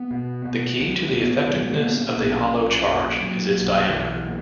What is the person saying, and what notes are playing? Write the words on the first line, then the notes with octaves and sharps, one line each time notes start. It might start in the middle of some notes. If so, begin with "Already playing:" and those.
The key to the effectiveness of the hollow charge is its diameter.
Already playing: B3
B2
B2
C#2
C#2 B3
E3
B2 F#3
G#3
A#3
A#2 B3
C#4
B1 B3
C#4
B1
A#2
A#2 F#3
B1
B1 E3
A#2